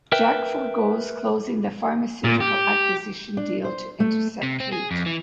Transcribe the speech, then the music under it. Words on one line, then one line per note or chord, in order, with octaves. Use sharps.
Jack forgoes closing the pharmaceutical acquisition deal to intercept Kate.
A#4 B4 E5 G5
A#2
G4
D4
C5
A3
C3
C4
G#4
F2
E3